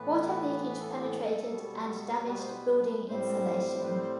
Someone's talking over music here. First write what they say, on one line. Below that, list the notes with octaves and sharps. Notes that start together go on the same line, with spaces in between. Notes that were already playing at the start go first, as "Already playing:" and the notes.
Water leakage penetrated, and damaged building insulation.
Already playing: A2 E3 B3 B4
B4
A4
G4
A4
B2 G3 B3
B4
C5
B4
A2 G3 C4 C5
B4
C5
C5